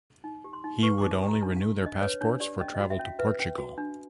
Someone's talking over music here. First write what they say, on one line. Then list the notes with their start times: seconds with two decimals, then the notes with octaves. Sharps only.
He would only renew their passports for travel to Portugal.
0.24 D#4
0.44 G4
0.53 C6
0.64 D#4
0.83 B4 C#6
0.98 D6
1.02 D#4
1.13 D#6
1.23 G4
1.28 A#5
1.42 D4 A5
1.56 F5
1.61 G4
1.81 D4 D#5
2.01 B4 C#5
2.21 D4 C#5
2.40 G4 D5
2.61 C#4 D#5
2.75 D#5
2.80 F#4
2.90 E5
2.99 C#4
3.05 F5
3.19 B4 E5
3.39 C#4
3.58 F#4
3.78 D4